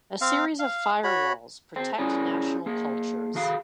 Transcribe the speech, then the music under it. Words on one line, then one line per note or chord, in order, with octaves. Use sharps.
A series of fire-walls protect national cultures.
C4 F5
F5
F#4 C#5 B5
G#4 C5 G5
C#4 E4 G#4 C#5 D5 G#5
A#3 G#4
E2 D#3 F#4 G#4 F5